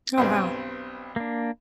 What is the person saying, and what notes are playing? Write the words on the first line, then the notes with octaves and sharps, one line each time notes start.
Oh, wow.
B1 G2 C4
A#3 D4